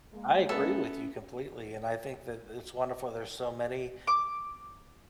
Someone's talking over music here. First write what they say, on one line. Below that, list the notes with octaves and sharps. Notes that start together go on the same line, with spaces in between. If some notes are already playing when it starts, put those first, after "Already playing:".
I agree with you completely, and I think that it's wonderful there's so many,
G#3 A#3
B3 C#4 A4 E5
D6